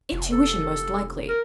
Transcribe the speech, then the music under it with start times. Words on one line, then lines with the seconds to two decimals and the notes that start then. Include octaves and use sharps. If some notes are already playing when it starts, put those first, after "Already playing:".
'Intuition, most likely.'
0.12 F1
0.32 A4
1.29 A#4